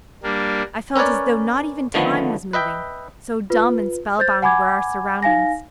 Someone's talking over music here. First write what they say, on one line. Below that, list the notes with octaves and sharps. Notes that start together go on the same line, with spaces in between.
I felt as though not even time was moving, so dumb and spell-bound were our surroundings.
G3 A#3 D4
C#4 A#4 B4 C#5 D5
D3 D#3 F3 A3 B3
B4 D#5 E5 G5
F4 B4
C5 G6 A6
F#5 G#5 B5 D6 G#6
D#4 F5 G#5 A#6